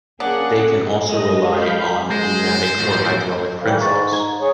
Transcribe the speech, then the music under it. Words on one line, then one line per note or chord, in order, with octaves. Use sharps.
They can also rely on pneumatic or hydraulic principles.
A#3 C#4 D4 G#4 F#5
G#3 D#5
F5 B5 G6
G#3 C5
A2 F3
D#3 E3 G3 A4 C5 F5
G#2 G#3 A#5 C#6 A6
A#5 G#6
G#4 C#5